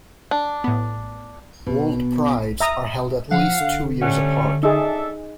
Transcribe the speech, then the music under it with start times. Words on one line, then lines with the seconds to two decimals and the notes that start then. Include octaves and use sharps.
WorldPrides are held at least two years apart.
0.31 D4
0.64 A2 B3
1.67 B2
2.60 E5 A#5 D#6
3.31 F3 F5 F#5
3.60 D3
4.02 G3 A3 C#4 F#5
4.63 D4 D#4 G#4 A4 E5